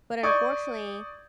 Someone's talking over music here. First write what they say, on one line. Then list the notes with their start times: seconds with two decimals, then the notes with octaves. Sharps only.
But unfortunately,
0.23 D5 C#6 D#6 G6 G#6